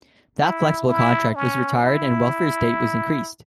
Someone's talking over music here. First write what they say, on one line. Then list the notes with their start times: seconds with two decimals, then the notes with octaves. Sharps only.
That flexible contract was retired and welfare state was increased.
0.40 E4
0.88 E4
1.35 C#4
1.82 E4